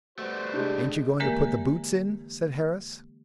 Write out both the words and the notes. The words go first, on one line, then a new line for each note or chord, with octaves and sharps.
"Ain't you going to put the boots in?" said Harris.
G3 A3 F#4 B4 C5
C3 G#3 D4
D3 E3 G#3 A#3 G4 A#4